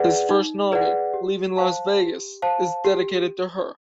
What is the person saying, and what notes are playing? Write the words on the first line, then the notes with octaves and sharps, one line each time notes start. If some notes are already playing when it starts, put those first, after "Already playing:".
His first novel, "Leaving Las Vegas", is dedicated to her.
Already playing: G#4 B4 D5 F#5
D#4
G#4 B4 D5 F#5
G4
C5 F5 A5
G4
C5 F5 A5
G4